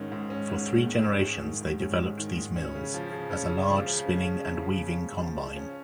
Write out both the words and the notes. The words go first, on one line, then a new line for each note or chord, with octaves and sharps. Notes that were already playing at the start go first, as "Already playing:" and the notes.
For three generations they developed these mills, as a large spinning and weaving combine.
Already playing: G#2 D#3 C#4
G#2
C#4
G#2
D#3
G#2
C#4
G#2
D#3
G#2
C#4
G#2
D#3
G#2
C#4
C#3
F3
C#3
C#4
C#3
F3
C#3
C#4
C#3
F3
C#3
C#4
C#3
F3
C#3
C#4